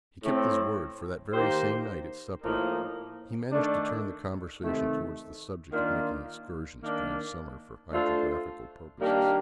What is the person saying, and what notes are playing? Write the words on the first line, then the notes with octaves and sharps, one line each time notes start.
He kept his word, for that very same night, at supper, he managed to turn the conversation towards the subject of making excursions during summer for hydrographical purposes.
A2 A3 C4
D#3 A#3 D#4 G4 C5
A2 F3 A#3 D#4 A#4
D#3 A3 D4
C3 D#3 A3
D#3 A#3 D4 F4
D#3 A#3 D4
A3 D4 F4 A4 C5
D#3 G3 A#3 D4 G4